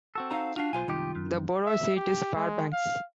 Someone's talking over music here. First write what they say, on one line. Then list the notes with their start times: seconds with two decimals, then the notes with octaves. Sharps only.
The borough seat is Fairbanks.
0.15 C4 F#4 A4
0.31 D#4 F5 A#5
0.56 D4 F4 F#4 F5
0.73 B1 F4 C5 F5 G#5
0.88 C2 F#2 D#3 D#4 G4
1.16 F#2
1.66 E5
1.97 G4
2.35 G#3
2.73 F5